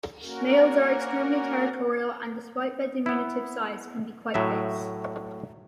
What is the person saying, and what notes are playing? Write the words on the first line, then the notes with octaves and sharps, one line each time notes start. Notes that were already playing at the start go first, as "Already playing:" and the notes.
Males are extremely territorial and-despite their diminutive size-can be quite fierce.
A#3 C#4 F#4 A#4
B3 E4
A2 F#3 E5